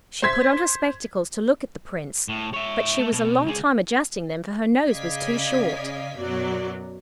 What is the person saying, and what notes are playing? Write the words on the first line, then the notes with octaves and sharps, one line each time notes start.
She put on her spectacles to look at the Prince; but she was a long time adjusting them, for her nose was too short.
C5 C6 G#6 B6
A2
C#5 E5
A3
B2
C#2 G#4
C#3 D5 D#5 F5 G#6 B6
F#2 B2 F#3 D5